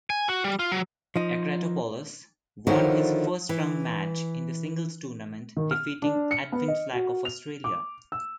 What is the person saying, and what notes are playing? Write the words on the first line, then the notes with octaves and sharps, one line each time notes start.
Akratopoulos won his first-round match in the singles tournament, defeating Edwin Flack of Australia.
G#5
F#4
G3
F4
F#3
F3 D#4
D3 D#3 F3 E4 F#4 C#5
E3
D#3
F6
D4
C#7
B3
D#5
F#4
F7
D6
E6